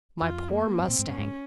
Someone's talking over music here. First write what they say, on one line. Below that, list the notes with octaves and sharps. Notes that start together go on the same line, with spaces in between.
"My poor mustang!"
F2 F4
A#3
G2 C4
A#2
G#2
G2 C#4
G#2